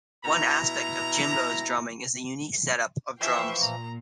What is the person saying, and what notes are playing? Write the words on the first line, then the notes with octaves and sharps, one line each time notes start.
One aspect of Jimbo's drumming is the unique setup of drums.
B2 E4 A#5
E3 F3 E5 F5 G5 C#6
A#2 A#5